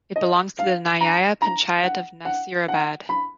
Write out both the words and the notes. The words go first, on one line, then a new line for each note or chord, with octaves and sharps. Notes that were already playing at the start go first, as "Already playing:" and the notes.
It belongs to the nyaya panchayat of Nasirabad.
D#5
F5
A#5
A#5
F#5
F#5
F#5
B5